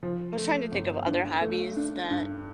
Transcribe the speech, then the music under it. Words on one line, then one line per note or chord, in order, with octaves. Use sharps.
I was trying to think of other hobbies that
F3
A3
G1
G2
A3
D4
G2